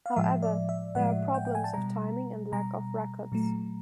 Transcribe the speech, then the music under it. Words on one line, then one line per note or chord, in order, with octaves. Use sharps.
However, there are problems of timing and lack of records.
F5
A2 F3 G#3 E5
D5
E5
A2 F3 G#3 F#5
G5
G5
G#5
A5
B2 G3 A#5
B2 G3 A#5
A#2 F#3 A3